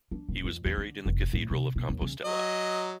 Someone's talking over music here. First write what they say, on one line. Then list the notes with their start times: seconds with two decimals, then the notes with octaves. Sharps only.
He was buried in the cathedral of Compostela.
0.11 D4
0.29 D#1
0.44 F2
0.65 E2
0.77 D3
1.06 F1
1.33 A2
1.51 C3
1.76 B2
1.89 D#2
2.01 C#3
2.25 F#3 D#5